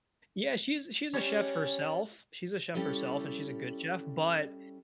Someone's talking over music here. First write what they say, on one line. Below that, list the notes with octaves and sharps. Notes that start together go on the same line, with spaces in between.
Yeah, she's she's a chef herself, she's a chef herself and she's a good chef, but,
G3 C#4 C#5
G3 C#4 E4 G4 A4